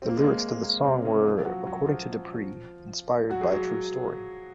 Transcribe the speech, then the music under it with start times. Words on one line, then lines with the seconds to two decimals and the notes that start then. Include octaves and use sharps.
The lyrics to the song were, according to Dupri, inspired by a true story.
0.02 C4
0.09 A#3
0.17 G#3
0.24 A#3
0.63 A#3
0.84 C3 C4
1.04 C#3 C#4
1.25 F3 F4
1.45 F#3 F#4
1.67 F#3 F#4
1.86 F3 F4
3.30 F#3 F#4
3.41 G#4
3.51 F#3 F#4